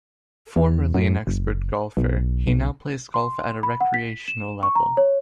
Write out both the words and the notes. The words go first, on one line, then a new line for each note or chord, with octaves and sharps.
Formerly an expert golfer, he now plays golf at a recreational level.
E2
F#2
F#1
B1
B1
C6
B5
F#5
B6
E7
C#6
A#5
C#5